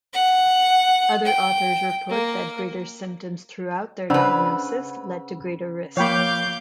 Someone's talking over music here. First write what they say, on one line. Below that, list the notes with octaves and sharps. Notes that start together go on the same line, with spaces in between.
Other authors report that greater symptoms throughout their diagnosis led to greater risk.
F#5
G5
A#3
C#3 D4 B4 C5 F#5 E6
F3 A#3 C#5 F5 G5 B5 D6 G6